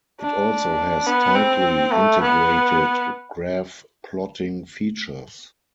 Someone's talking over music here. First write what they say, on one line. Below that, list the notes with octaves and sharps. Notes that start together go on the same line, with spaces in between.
It also has tightly integrated graph-plotting features.
D4
B3
C4
A3
B3